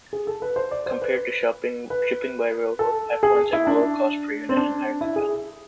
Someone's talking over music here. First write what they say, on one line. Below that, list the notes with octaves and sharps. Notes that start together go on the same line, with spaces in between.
Compared to shipping by railroad, pipelines have lower cost per unit and higher capacity.
G#4
A4
B4
C5
D5
C5
B4
B4
A4
G#4
E4
D4
C4
D4
E4
G#4